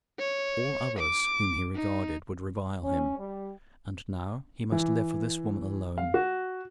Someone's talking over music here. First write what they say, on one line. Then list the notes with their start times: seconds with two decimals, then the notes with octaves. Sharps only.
All others whom he regarded would revile him, and now he must live for this woman alone.
0.19 C#5
0.98 D6
1.75 D#4
2.83 C#4
3.18 G3
4.72 E3
5.98 F5
6.14 F#4